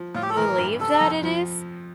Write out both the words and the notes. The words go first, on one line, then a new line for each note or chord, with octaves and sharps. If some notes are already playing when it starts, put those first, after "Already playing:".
believe that it is,
Already playing: F3
A2 F4
G4
A4
E3 A#4
G2
C3 A4
F2
F3